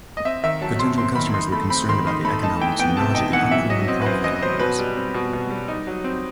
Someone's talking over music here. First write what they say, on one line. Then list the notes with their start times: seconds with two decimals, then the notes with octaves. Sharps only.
Potential customers were concerned about the economics and noise of the unproven propfan engines.
0.17 D#5
0.25 C4 E5
0.43 D#3 E5
0.61 F#3 A5
0.79 F#2 C6
0.98 C4 C6
1.15 D#3 B5
1.34 D#4 C6
1.52 A3 B5
1.70 C4 B5
1.89 D#3 C6
2.07 D#4 C6
2.25 A3 B5
2.43 D#4 A5
2.60 E3 G5
2.79 B3 G5
2.97 C3 A5
3.15 D#4 G5
3.33 E3 F#5
3.51 F#2 E5
3.69 F#3 D#5
3.88 C4 D#5
4.02 B4
4.06 F#2 C5
4.24 F#2 D#5
4.42 F#3 C5
4.59 B2 B4
4.79 G3
4.97 C4
5.14 B2
5.33 B2
5.50 G3
5.68 D#4
5.87 F#3
6.04 C4